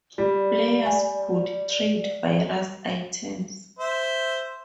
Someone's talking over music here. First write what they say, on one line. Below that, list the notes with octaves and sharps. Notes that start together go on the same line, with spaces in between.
Players could trade various items.
G3 D5
G#5
C5 E5